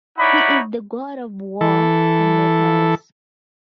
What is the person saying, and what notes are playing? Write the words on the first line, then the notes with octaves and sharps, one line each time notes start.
He is the god of war and metals.
D#4 E4 C#5 D5 F#5 B5
E3 A4